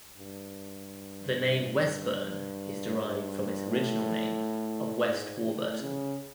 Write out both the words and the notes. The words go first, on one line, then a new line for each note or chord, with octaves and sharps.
The name Wesburn is derived from its original name of West Warburton.
G2
G2
A2
G#2
A2
C#3